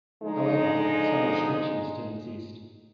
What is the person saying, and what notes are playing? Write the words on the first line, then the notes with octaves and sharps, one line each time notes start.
However, some restrictions still exist.
D3 F3 G#3 D#4